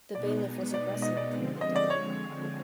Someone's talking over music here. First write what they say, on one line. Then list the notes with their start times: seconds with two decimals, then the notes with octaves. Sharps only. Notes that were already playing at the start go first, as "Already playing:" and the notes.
The bailiff was aggressive toward the debtor.
0.15 B2 G#3 B3 D#4 D5
0.74 D5
1.02 D#5
1.17 D5
1.32 D3 F3 G#3 C4
1.61 D#5
1.76 D5
1.90 C#5